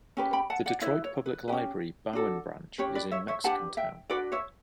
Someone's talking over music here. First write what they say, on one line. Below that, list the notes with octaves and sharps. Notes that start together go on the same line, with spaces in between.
The Detroit Public Library Bowen Branch is in Mexicantown.
C#4 G4 B4
G5 B5
F#5 A5
D5 F#5
E4 B4 C#5 E5
C#5
B4
C#4 G4 B4
D4 F#4 A4
C#4 G4 B4 C#5
B4 D5
C#5 E5
C#5 E5
D4 G4 B4 F#5 A5
E5 G5
D4 F#4 B4 D5 F#5
C#5 E5